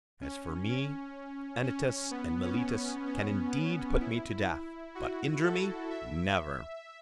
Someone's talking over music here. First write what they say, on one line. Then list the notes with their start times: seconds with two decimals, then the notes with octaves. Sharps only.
As for me, Anytus and Meletus can indeed put me to death, but injure me, never!
0.22 C#4
0.69 C#4
1.63 C#4
2.11 B3
2.42 C#4
3.06 C#4
4.01 E4
4.95 F#4
5.43 A4
5.90 E5